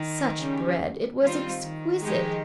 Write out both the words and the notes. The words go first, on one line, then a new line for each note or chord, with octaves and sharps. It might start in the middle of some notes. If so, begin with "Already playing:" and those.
Such bread, it was exquisite!
Already playing: D#3
C#3 G3 C#4 G4
D#3 G3 C4 F4
D#3
F3 G#3 D#4 G4